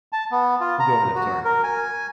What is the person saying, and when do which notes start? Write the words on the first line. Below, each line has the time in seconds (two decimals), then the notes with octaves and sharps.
You go ahead, sorry.
0.12 A5
0.31 B3
0.61 F4
0.80 A#5
1.15 F#4
1.44 A#4
1.64 G#5